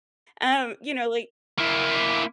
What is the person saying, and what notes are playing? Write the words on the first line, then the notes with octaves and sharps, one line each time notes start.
Um, you know, like
A#3 E4